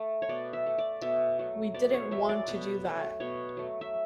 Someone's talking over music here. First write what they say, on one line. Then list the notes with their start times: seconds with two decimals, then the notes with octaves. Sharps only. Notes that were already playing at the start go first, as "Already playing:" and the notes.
We didn't want to do that.
Already playing: A3
0.22 C#5
0.29 B2 D5
0.53 E5
0.66 A3
0.78 D5
1.02 B2 E5
1.39 F#3 A3
1.74 B2 D5
1.94 C#5
2.11 F#3 A3 E5
2.29 D5
2.48 B2 B4
2.85 F#3 A3
3.20 B2 C#5
3.57 F#3 A3
3.81 E5